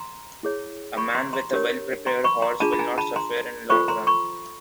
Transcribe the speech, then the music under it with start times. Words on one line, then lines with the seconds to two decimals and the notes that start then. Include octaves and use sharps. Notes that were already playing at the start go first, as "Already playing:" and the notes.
A man with a well prepared horse will not suffer in long run.
Already playing: A#5 C6
0.43 E4 G#4 C#5
0.97 B5 C#6
1.15 A#5 C6
1.33 A#5 C6
1.52 D4 G4 A#4 C#5
2.06 A#5 C6
2.24 B5 C#6
2.42 A#5 C6
2.60 D4 F4 G#4 A5 B5
2.72 B5
2.79 G#5 A#5
2.98 A5 B5
3.16 A#5 C6
3.70 F4 A4 C5 B5 C#6
3.88 A#5 C6
4.07 B5 C#6